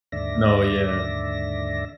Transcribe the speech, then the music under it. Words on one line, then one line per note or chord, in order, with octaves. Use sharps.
No. Yeah.
D#2 G#2 D3 D5 E5 A#6